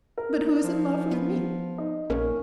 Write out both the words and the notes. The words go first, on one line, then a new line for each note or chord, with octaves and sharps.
But who is in love with me?
A#4
F3
B3
D#4
A#1 A#3 C#4